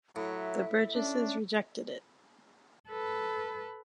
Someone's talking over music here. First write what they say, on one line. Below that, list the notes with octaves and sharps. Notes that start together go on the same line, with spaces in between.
The Burgesses rejected it.
A2 F#3 E5
C#4 D4
A4 B4